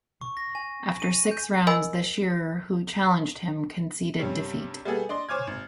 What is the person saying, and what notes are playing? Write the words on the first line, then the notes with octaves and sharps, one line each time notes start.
After six rounds the shearer who challenged him conceded defeat.
C#6
A#6
G#5
D#7
G6
A#4 D#5 G#5 B5 E6
G2 C3 G3 C#4
G3 A3 B3 G#4 A4
D4 D#5 C6
C5 C#5 G#5 D6 F6 G#6
G#1